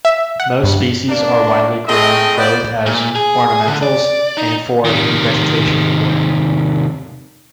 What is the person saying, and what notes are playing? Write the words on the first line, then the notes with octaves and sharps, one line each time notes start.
Most species are widely grown both as ornamentals and for revegetation work.
E5
F#5
G2
A#3 D4
A2 A3 C4 G#4 D#5 G5
B3 F4 C5 D5
A#2
G#4
D3
D5
D#4
C3 D#3